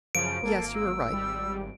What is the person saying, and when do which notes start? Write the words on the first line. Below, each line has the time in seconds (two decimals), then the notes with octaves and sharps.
Yes; you are right.
0.15 F#2 C#3 F3 D7
0.43 G#1 A#3 A4
0.74 E6
1.12 G3